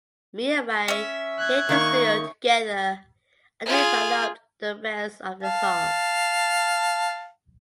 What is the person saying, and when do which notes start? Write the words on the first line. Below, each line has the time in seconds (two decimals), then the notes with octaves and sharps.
Me and Raye hit the studio together and developed the rest of the song.
0.88 C#4 E5
1.38 F#6 G#6
1.69 D#3 A#3 D#4 C#6
3.66 F4 G#4
5.43 F5 A5